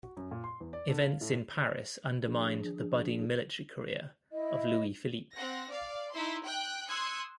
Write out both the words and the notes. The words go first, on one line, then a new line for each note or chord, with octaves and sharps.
Events in Paris undermined the budding military career of Louis Philippe.
F#4
F#2
A#2
C6
E2
D5
D3
F5
A2
F3 D4 G#4
E4 D#5
C4 F#5 A#6
D5 F5
D#4 E4 C6
G5 F#6
C6 D#6 E6 F#6 G#6 C#7